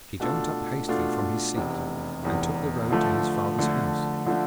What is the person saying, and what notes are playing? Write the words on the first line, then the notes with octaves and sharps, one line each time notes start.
He jumped up hastily from his seat, and took the road to his father's house.
B2 A3 D4 F4 A4
B2 A3 D4 F4 A4
F1 E2 C3
F1 E2 C3
D3 F3 A3
D3 F3 A3
D3 F3 A3 D4